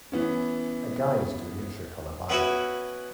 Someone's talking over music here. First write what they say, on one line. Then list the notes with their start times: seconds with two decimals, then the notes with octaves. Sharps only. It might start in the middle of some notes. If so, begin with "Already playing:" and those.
A guy is doing a trick on a bike.
0.12 E3 B3 C#4
2.29 B3 C#4 E4 F#4